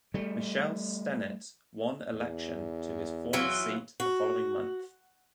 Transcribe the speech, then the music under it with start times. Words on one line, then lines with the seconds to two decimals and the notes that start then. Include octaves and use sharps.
Michelle Stennett won election to his former seat the following month.
0.14 G3 A3
2.13 E2
3.33 E3 F#3 F4
4.00 F#4